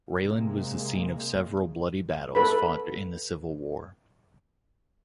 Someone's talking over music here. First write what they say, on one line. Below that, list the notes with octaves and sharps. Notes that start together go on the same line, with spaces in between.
Rayland was the scene of several bloody battles fought in the civil war.
C3 G#3 A#3
A4 B4 B5